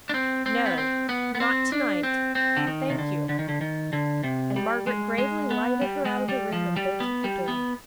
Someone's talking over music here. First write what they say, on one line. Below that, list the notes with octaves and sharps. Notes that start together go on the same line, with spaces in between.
'No! not to-night, thank you.' And Margaret gravely lighted her out of the room, and bolted the door.
D4
C4
C4
B3
C4
B3
B3
C4
D4
C4
C4
D3
D#3
C3
D3
D3
D#3
D3
D#3
D3
C3
G3
G#3
G#3
B3
G3
G#3
G3
F3
G3
B3
G3
B3